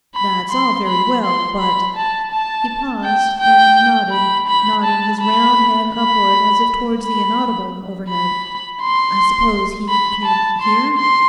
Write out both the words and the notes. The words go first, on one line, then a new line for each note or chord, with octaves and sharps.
That's all very well, but'--he paused, and nodded, nodding his round head upward as if towards the inaudible overhead, 'I suppose he can't HEAR?'
B5
C6
B5
C6
B5
A5
A5
G5
G5
B5
B5
A5
B5
B5
B5
B5
C6
B5
A5
C6
C6